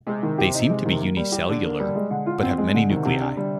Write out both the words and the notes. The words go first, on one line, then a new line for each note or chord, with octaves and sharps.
They seem to be unicellular, but have many nuclei.
C3 G#3
D#3
G4
D#4
G#3
D#3
A#3
G3
G4
D3 D4
A#3
G3
G#3
D3
F4
C4
G#3
D3
C3 D#3
C3
D4
D3 G3